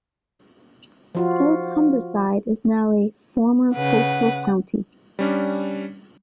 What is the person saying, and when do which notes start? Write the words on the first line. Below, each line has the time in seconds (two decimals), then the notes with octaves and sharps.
South Humberside is now a "former postal county".
1.15 F3 F4 F#4
3.74 C#3 B4 F#5
5.19 G3 C#4 D4